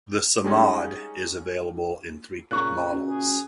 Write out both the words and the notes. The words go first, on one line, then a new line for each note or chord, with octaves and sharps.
The Samad is available in three models.
G3 G#3 C#4 D#4
A#2 C#3 A#5 C#6 F#6
C#4 F#4
G#4